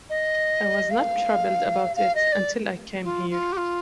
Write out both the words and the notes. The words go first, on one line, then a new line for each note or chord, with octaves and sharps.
I was not troubled about it until I came here.
D#5
F5
F5
D#5
D5
F4
F4
G4
F4